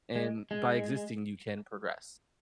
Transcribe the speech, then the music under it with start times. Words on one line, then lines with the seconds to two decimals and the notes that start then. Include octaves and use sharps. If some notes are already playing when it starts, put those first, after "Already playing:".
and by existing, you can progress.
0.15 G#3
0.51 G#3